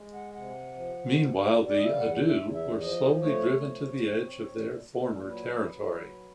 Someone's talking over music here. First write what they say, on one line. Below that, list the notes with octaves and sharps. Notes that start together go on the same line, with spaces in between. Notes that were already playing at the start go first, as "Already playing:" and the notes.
Meanwhile, the "Adoo" were slowly driven to the edge of their former territory.
Already playing: G#3
F#5
C3 F#5
F3
B2
G3
D5
D#5
E5
F5
E2 F#5
E5
E2
E5
F3 D#5
A3 C#5
F3
C4
A#2
A#2
F#3 B4
F#3